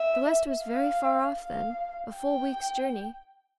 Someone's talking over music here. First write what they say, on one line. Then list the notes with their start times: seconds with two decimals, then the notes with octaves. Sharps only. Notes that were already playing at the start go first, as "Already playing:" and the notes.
The West was very far off then, a full week's journey.
Already playing: E5
0.63 F5
1.39 F5
2.16 G5